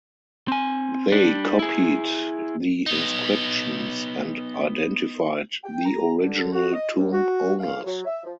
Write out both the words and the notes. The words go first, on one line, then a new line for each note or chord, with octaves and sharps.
They copied the inscriptions and identified the original tomb owners.
C4 G#5
G3 D4
E4 G#4
B3 D#4
G5
A#5
D3
F#4
D#5
D#2
F#4
F5
F#3
E5
F3